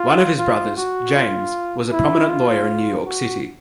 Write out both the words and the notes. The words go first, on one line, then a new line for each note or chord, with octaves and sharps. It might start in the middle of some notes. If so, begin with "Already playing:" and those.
One of his brothers, James, was a prominent lawyer in New York City.
Already playing: F4
F4
F#4
F4
E4
F4
F#4